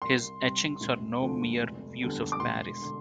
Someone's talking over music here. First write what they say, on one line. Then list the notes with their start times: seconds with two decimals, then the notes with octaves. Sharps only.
His etchings are no mere views of Paris.
0.02 C2 C6
0.41 C3 G3
0.81 E1
1.22 D2 D3 F3
1.61 F1
2.01 E2 D3 G3
2.32 D6
2.40 E1 C6
2.81 D3